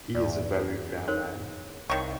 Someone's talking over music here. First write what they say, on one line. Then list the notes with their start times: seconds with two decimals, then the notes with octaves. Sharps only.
He is a very fair man.
0.15 E2 D5
1.08 D#4 A#4 C5 C#5
1.90 C2 D#3 C#5 F5 C#6